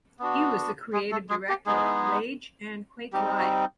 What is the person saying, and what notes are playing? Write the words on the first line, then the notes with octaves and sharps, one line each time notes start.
He was the creative director on "Rage" and "Quake Live".
B3 D4 F#4
G#3 G#4
A3 A4
G#3 G#4
G4
G#3 B3 D#4 G#4
G3 C4 D#4 G4
F#4